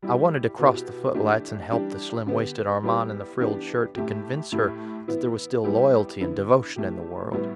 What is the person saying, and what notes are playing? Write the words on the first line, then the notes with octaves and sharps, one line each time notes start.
I wanted to cross the footlights and help the slim-waisted Armand in the frilled shirt to convince her that there was still loyalty and devotion in the world.
G3 E4 G4
B2 B3 E4 G4
E3 A3 D4 G4
E3 G3 D4 G4
D3 B3 G4
G3 B3 E4 G4
E3 B3 D4 G4
A2 A3 G4
A2 A3 E4 G4
E3 B3 E4
G3 B3 E4 G4
D3 B3 E4
E3 A3 G4
A2 G3 B3 E4